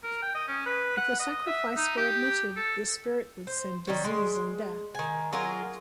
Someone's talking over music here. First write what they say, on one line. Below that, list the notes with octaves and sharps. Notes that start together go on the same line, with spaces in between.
If the sacrifice were omitted the spirit would send disease and death.
A#4
G5
D#5
C#4
B4
F#5
D#5
E5
D#4
G4
A4
C5
D#3 G3 C#5
G#3
D#3 G#5
F#3 F4 G#4 A#4